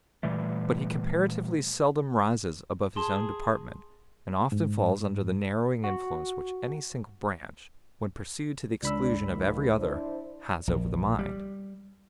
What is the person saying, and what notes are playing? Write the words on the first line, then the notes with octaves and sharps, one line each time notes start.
But he comparatively seldom rises above his own department, and often falls under the narrowing influence which any single branch, when pursued to the exclusion of every other, has over the mind.
A#2 E3 G3 A3
G#4 A5 C6
G#2
F#4
C#2 D4 D5 B5 E6
D#3 F3
D4 E4 C5
A#1
G3